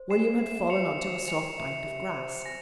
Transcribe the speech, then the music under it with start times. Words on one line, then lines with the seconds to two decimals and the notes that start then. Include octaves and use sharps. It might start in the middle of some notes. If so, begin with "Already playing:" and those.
William had fallen on to a soft bank of grass.
Already playing: C5
0.10 G#5 C7 E7
0.40 E5
0.69 G4 C#7 F7
0.99 C5
1.28 G#5 C#7 F7
1.58 E5
1.87 G4
2.17 C5
2.45 G#5 A#6